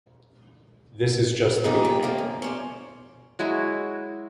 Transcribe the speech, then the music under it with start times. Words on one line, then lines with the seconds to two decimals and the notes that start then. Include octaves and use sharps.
This is just the beginning.
1.64 A#2 D#3 E3 G3 D#4 G#4
1.85 G4
2.03 D3 A3 A#3 C4
2.18 F#2
2.42 C#4 C5 D5
3.39 F#3 G#3 E4 F#4